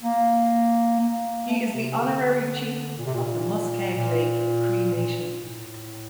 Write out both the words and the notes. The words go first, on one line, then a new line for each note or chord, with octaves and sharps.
He is the Honorary Chief of the Muskeg Lake Cree Nation.
A#3
A#3
A3
A#3
A3
C3
D3
A#2
C3
A#2
A#2
A#2
A2